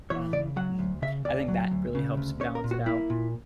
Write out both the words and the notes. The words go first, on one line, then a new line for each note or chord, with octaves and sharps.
um, and I think that really helps balance it out,
E3 C#5
C#3 D5
F#3 F#5
D2
C#3 E5
D2 D5
F#3
D2
C#3
D2
C#4 C#5
A#4
A#2
F#4
A#3 E4
A#2